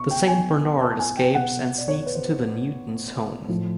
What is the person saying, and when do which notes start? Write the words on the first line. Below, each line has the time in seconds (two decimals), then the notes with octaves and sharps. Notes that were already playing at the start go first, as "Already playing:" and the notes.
The Saint Bernard escapes and sneaks into the Newton's home.
Already playing: B2 C#6
0.11 G5
0.28 G#5
0.81 A5
0.99 G#5
1.17 G5
1.35 B2 F#5
1.78 D5
1.88 C#5
2.06 B4
2.15 C5
3.48 A2 F3